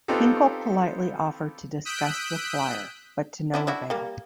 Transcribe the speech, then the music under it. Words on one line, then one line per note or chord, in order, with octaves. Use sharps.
Hinkle politely offered to discuss the flier, but to no avail.
B3 C4 D#4 F4 G4 A4
D#6 E6 F#6 G6 B6 D7
C#4 D4 E4
D4 E4 F#4
G3 A#3